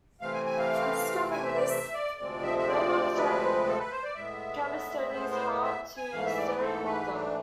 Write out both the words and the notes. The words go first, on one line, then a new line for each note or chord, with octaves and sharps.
On discovering this, Raimon fed Cabestany's heart to Seremonda.
C3 E3 A3 C4 F5
G#5
G#5
F5
G#5
E5
D5
E5
D5
D2 C3 F3 G#3 C4 D5
E5
E5
D5
B4
A4
B4
C5
D5
A2 G#3 B3 E5
C5
C5
E5
G#5
G#2 E3 A3 F5
E5
D5
B4
A4
B4
D4